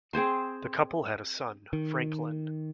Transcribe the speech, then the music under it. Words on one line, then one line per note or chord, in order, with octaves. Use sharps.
The couple had a son, Franklin.
C4 G#4 C5 C6
D#3